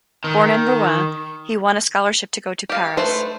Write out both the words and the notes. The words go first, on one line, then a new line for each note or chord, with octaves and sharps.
Born in Rouen, he won a scholarship to go to Paris.
D#3
G4 F5
A3 B4 C5